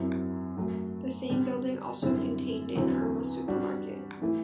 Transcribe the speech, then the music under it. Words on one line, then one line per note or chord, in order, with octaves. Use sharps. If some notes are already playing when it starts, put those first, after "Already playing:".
The same building also contained an Irma supermarket.
Already playing: F#2 F#3 C4 E4
F#2 F#3 A3
D3 G3 D4
F#2 D3 G3 C4 E4
E2 D3 F#3 C4 E4
G3 D4 F#4
E3 A3 E4